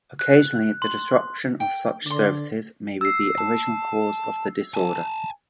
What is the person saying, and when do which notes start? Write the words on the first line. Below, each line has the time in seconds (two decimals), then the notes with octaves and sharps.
Occasionally, the disruption of such services may be the original cause of the disorder.
0.19 F#6
0.82 C6
1.60 G5
2.06 D3 D5 C6
3.01 E6 C7
3.38 A5
4.74 G#5 A5